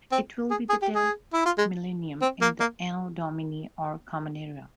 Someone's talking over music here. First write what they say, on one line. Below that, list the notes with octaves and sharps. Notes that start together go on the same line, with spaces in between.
It will be the tenth millennium in the Anno Domini or Common Era.
C4
G#4
G#4
G4
G#4
E4
F4
G#3
C4
A#3
A#3